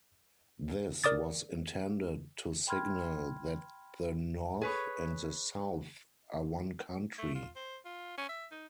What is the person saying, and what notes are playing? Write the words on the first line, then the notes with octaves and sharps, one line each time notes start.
This was intended to signal that the North and the South are one country.
A#4 D5 D6 D#6 A6
G5 B5 C6 F6 G#6
G#4 B4 C#5
A3
F4
C5
F4
C#4
E5
D#4